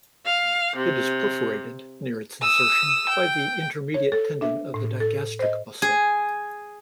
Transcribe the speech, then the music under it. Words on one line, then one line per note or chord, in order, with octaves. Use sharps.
It is perforated, near its insertion, by the intermediate tendon of the digastric muscle.
F5
C3
D#6 E6
G5
C#5
A4
D4 E5
A2
A4
C5 D#5
G#4